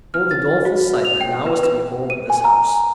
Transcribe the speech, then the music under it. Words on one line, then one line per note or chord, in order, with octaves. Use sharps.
Oh the doleful sight that now was to behold at this house!
F6
A6
F#4
F7
G5
B4
B4
D#7
G#5
A#5